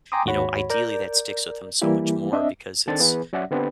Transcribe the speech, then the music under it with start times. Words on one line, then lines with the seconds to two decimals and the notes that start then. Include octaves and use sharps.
you know, ideally, that sticks with them so much more because it's
0.12 G5 G#5 A#5 C6 D6 D#6
0.26 D#2 G#2 F#4 C#5 B5
0.70 A#4 D5 G6
1.82 E3 G3 A#3 E4 G4
2.32 C4 D4 D#5 E5
2.87 D#3 C4 D4 A4 A6
3.00 E3 B3 G#4 B4
3.33 F#3 C#4 D5 E5 F#5
3.51 D3 B3 C4 D4 G4 B4